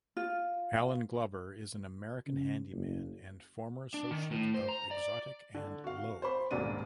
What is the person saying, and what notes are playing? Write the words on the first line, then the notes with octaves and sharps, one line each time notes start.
Allen Glover is an American handyman and former associate of Exotic and Lowe.
F4
C#3
F#1
D4
D#3
A2
C5
A#5
D5
D3
F#4 F5
C5 B5
D#1 B1 G#2 D4 D#7